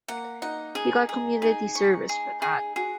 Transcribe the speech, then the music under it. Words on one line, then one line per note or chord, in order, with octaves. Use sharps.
He got community service for that.
A#3 F#5
D#4 F#5
G#4
G#4
D#4 G#4
C#6
G#4
G#4
F#4 G#4